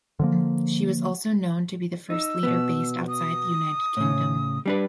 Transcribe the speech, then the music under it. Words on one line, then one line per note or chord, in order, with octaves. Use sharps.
She was also known to be the first leader based outside the United Kingdom.
D3 F3 A#3
D#4 E6
B2 B3
D#6
A2 C#3
G3 D4 B4